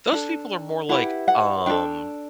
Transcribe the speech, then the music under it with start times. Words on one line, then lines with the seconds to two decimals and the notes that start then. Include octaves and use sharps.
Those people are more like, um
0.12 D4 A4
0.89 E4 G4 B4 F#5
1.28 F#5
1.66 D4 A4 G5